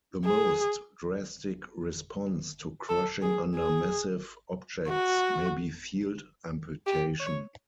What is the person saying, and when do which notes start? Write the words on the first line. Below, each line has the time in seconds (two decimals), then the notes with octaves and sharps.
The most drastic response to crushing under massive objects may be field amputation.
0.25 G#4
2.89 A4
3.23 G#4
3.55 G#4
4.88 F#4
6.86 G4
7.20 C#5